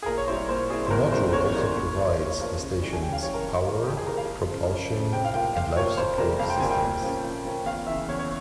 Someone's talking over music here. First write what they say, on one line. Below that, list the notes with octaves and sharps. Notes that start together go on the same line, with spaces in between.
The module also provides the station's power, propulsion, and life support systems.
G#4
A#2 A#4
C#5
G3 C4 E4 C5
A#2 C5
G3 C4 E4 G#4
C5
E2 A#4
C#3 G3 A#3 E4 C5
E2 C#5
C#3 G3 A#3 E4
A#2
F3 A#3 F4
A#2
F3 A#3 F4
C#3
E3 G3
G#5
C#3 G5
F5
E3 G3 C#5
A#4
F2
E3 A#3 F4
F2 G4
G#4
E3 A#3 F4 A#4
F5
F2
C#3 F3
F2
C#3 F3
C3 G5
F5
F3 A#3 F4 G5
C3 F5
F3 A#3 F4 C#5
F2 C5
C3 G3 A#3 F4 A#4
F2 F5
G5
C3 G3 A#3 F4 G#5
G5
A#2
F3 A#3 C#4
A#2
F3 A#3 C#4
E2 F5
C#3 E3 E5
E2 C#5
C#5